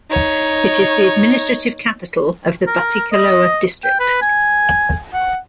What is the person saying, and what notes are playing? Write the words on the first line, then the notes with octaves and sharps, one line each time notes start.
It is the administrative capital of the Batticaloa District.
D#4 C#5
A#4
D#5
G5
B4
G#5
F#5